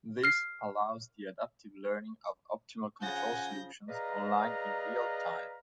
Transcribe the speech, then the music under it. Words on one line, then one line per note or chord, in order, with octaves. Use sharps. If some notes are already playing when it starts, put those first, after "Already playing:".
This allows the adaptive learning of Optimal control solutions online in real time.
F6 C7
C#3 F3 F#5 G#5 G6 A#6
G#4 B4 D5 D#5 F5 A#5